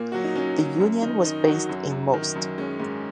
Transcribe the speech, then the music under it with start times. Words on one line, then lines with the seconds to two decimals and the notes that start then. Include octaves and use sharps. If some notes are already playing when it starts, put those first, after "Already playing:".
The union was based in Most.
Already playing: A#2 A#3
0.12 F#3 F#4
0.24 D#4
0.35 F#3 C#4
0.57 F#3
0.80 F#2 C#4
1.02 D#3 D#4
1.24 D#3 D#4
1.47 F#3 F#4
1.69 F#2
1.91 F#2
2.14 D#3
2.35 F#2
2.58 G#3 C#4
2.80 G#2